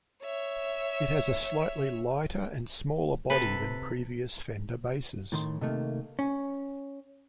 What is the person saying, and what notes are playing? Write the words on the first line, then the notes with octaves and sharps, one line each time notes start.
It has a slightly lighter and smaller body than previous Fender basses.
C#5 E5
C3 A4 B4
A2 D#3 C6
C3 D#3 A3 A#3
C#4